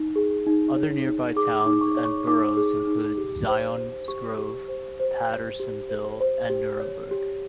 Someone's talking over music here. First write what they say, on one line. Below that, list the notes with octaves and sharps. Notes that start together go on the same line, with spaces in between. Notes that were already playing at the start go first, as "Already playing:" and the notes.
Other nearby towns and buroughs include Zions Grove, Pattersonville, and Nuremberg.
Already playing: D#4
G#4
D#4
C#5
D#4
G#4 D6
D6
D#4
C#6
C#5
C#6
D#4 D6
G#4
D#4
G4
C5
C5
G4 C#6
G4
C5
C5
G4
G4
C5
C5
G4
C#5
G4